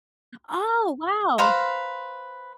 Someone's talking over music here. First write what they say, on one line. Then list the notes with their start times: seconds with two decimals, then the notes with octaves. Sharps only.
Oh, wow.
1.38 B4 C5 F5 A#5